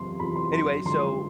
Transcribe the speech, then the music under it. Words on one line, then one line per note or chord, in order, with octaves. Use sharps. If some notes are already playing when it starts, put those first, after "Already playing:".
anyway, so,
Already playing: F#1 E2 C3 F3 C6
E2 C3 F3 B5
C6
F#2 C6
D3 F3 G#3 C6